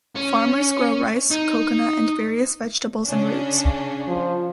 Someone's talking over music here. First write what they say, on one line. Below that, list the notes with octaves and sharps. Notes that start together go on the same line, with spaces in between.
Farmers grow rice, coconut and various vegetables and roots.
C#4
D#4
C#3 C#4 D4
F3